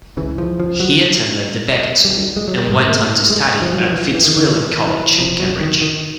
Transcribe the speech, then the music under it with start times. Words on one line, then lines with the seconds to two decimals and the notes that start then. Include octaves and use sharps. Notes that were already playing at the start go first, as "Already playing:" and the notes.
He attended The Becket School and went on to study at Fitzwilliam College, Cambridge.
0.17 C#2 C#3 E3
0.38 F3
0.60 F3
0.80 F#3
2.05 G3
2.37 G#3
2.48 F#3
2.58 G3
2.68 G#1 G#2 G#3
2.89 A#3
2.99 A3
3.30 G#3
3.62 F3
3.72 F#3
3.83 F3
3.93 E3
4.14 E3
4.24 D#3
4.36 D3
4.46 D#3
4.55 E3
4.87 E3
5.18 E1 E2 C3 F3
5.40 F#3
5.61 D#3
5.81 D#3